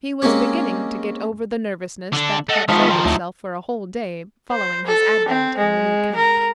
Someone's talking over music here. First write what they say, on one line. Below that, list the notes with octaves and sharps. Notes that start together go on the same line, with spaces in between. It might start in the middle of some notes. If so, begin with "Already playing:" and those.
He was beginning to get over the nervousness that had shown itself for a whole day following his advent in the new camp.
G#3 A#3 C4 C#4 G4 C#5
D3 D4
A3 D#5 F#5
D#3 F3 G#3 B3 F4 E5
D#3 F3 A#5 C6
D2 A2 F#3 D#4 E5 A5
C5
A4
C4
G#3
A#4